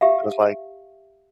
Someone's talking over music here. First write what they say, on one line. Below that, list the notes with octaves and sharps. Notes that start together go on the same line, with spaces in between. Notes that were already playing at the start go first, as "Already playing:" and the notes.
It was like,
G4 E5 F5